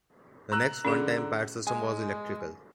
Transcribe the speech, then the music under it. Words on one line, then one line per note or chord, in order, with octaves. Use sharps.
The next one-time pad system was electrical.
A#5 E6 F#6
D3 C#4 G#4
G#3 G#5